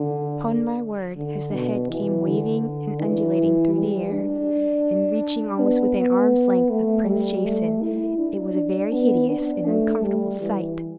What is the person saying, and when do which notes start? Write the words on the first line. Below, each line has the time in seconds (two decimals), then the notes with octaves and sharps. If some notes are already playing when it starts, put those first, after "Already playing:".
Upon my word, as the head came waving and undulating through the air, and reaching almost within arm's length of Prince Jason, it was a very hideous and uncomfortable sight.
Already playing: D3
1.16 D3
1.53 B2
1.90 E3
2.27 D3
3.02 E3
3.75 G3
4.12 D4
5.60 B3
5.97 B3
6.70 A3
7.07 G3
7.45 A3
7.82 E4
8.18 D4
8.56 D4
8.93 B3
9.30 D4
9.66 A3
10.04 G3
10.41 E3